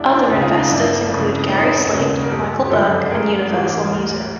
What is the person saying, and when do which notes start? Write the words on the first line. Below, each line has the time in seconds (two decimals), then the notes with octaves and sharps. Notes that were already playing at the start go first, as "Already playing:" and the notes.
Other investors include Gary Slaight, Michael Burke and Universal Music.
Already playing: E1 D4 E4
0.15 D4 E4
0.29 D2 C#3
0.41 D#4 F4
0.68 G1 D4 E4
1.08 F2 C#3
1.49 E1 C#4 D#4
1.89 D#2 C#3
2.23 A#4
2.30 G1 G4 A4
2.69 F#2 D3 F3 G#3 G4 A4
3.10 A1 G#4 A#4
3.50 G#2 E3 G3
3.90 D2